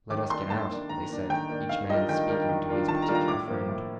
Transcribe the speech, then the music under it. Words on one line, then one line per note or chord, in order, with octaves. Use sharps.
"Let us get out!" they said, each man speaking to his particular friend.
D#3 D6
A#3 D4 C6
D#3 A5
A#3 D4
D#3 A#5
A#3 D4
D#3 G5
A#3 D4
D#3 F5
G3 D4 F4 A#4 D#5
D#3 G5
G3 D4 F4 A#4
D#3
G3 D4 F4 A#4
D#3 A5
A#5
G3 D4 F4 A#4
A#5
A2 D6
F3 A#3
A2